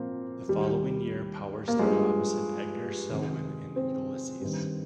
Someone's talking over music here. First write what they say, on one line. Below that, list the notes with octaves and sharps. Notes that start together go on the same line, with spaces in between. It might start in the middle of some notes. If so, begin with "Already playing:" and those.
The following year Power starred opposite Edgar Selwyn in "Ulysses".
Already playing: A#2 F3 A#3 C4
D#2 D#3 G3
A#3
G2 F3 G#3
F2 C3 D#3
C4
G2 D#3